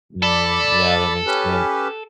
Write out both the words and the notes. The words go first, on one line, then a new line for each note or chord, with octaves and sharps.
Mm, yeah, that makes sense.
A4 D5 B5
C#4 G4 B4